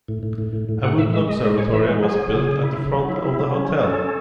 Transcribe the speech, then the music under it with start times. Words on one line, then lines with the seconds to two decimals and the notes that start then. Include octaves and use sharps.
A wooden observatory was built at the front of the hotel.
0.08 A2
0.23 A2
0.38 A2
0.53 A2
0.69 A2
0.83 A2 F#5
0.98 A2 E5
1.13 G#3 E5
1.28 G#3 D#5
1.43 G#3 D#5
1.58 A2 C#5
1.73 E3 E5
1.89 G#3 F#4
2.03 F#3 G#4
2.18 F#3
2.33 C#3
2.49 C#3
2.63 E4
2.78 C#3
2.94 F#3
3.09 E4
3.23 E4
3.39 F#3
3.54 C#4
3.69 F#3
3.83 C#4 A4
3.99 C#4